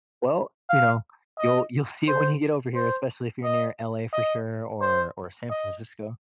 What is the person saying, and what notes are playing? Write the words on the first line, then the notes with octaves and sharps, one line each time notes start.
Well, you know, you'll you'll see it when you get over here, especially if you're near LA for sure or or San Francisco.
F5
D#5
C5
C5
D#5
D#5
C5
D#5